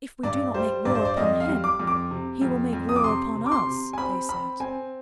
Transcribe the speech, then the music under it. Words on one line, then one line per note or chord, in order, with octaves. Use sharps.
"If we do not make war upon him, he will make war upon us," they said.
G2 D5
G3 C5
G2 D5
C5
D5
F2 D#5
F5
G3
D6
F2
D6
C3
F2
F2
D#6
D6
C3 C6
C3
D6
C6
C3
G#5
C4 B5
C4 B5
C4 G#5